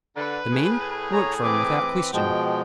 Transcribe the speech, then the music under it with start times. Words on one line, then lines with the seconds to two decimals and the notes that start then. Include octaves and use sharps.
The men worked for him without question.
0.17 D3 B4
0.52 A2 A3 G#4
1.12 C#5 A#5
1.44 E3 C4 B4 D6
2.13 B2 F3 G#3 G5